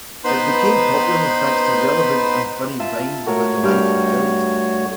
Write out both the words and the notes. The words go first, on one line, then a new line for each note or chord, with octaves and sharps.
It became popular thanks to relevant and funny vines about the life of girls.
B3 D#4 B4 C5 B5 C6
F4 E5 A5
A3 F#4 A#4 C#5
G2 G4 F6